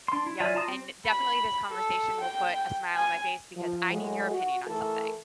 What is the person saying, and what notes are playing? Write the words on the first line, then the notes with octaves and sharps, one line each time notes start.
Yep, and definitely this conversation will put a smile on my face because I need your opinion on something.
D4 C6
E4
F#3 F4 D5 E5 G#5
F4 A5 A#5 C6 D#6
C4
B5
A4
G5
G#5
F3
A2 F#3 G#3
F#4
E3 A3 A4 A#4